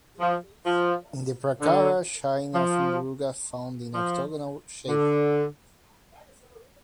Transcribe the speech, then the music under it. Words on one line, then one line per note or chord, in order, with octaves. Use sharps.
In the prakara shrine of Muruga found in octagonal shape.
F3
F3
D3
F3
F3
D3